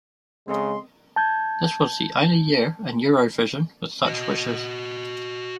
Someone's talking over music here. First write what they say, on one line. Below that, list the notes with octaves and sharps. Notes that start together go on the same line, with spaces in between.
This was the only year in Eurovision with such wishes.
C#3 G#3 C4 A4 D#5 C6
A5 G6 G#6
F#4 D#5